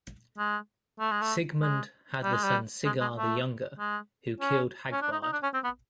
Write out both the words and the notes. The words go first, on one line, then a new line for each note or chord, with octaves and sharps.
Sigmund had the son Sigar the younger, who killed Hagbard.
G#3
A3
G#3
A3
G#3
G3
G#3
G3
G#3
G#3
A3
G#3
C#4
C#4
D4
D#4
D#4
D4
C#4
C4
B3